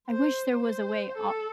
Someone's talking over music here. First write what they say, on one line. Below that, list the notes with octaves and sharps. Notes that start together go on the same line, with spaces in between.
I wish there was a way al
C5
C5
A4